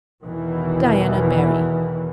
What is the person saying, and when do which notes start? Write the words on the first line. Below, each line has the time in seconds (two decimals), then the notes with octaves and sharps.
Diana Barry.
0.25 E2 B2 D#3 E3